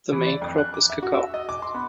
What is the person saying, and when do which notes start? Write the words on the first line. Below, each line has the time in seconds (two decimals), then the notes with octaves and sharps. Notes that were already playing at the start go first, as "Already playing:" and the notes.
The main crop is cocoa.
0.13 E3
0.26 D5
0.41 F2
0.58 F#6
0.74 D6
0.90 E5
1.03 F#4
1.14 E6
1.34 D#5
1.49 D6
1.62 C6
1.74 B3